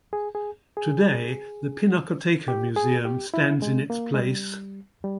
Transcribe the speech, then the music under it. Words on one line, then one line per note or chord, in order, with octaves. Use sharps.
Today the Pinacoteca Museum stands in its place.
G#4
G#4
G#4
G4
G#4
G4
E4
G#3
A#3
G#3
G3
G3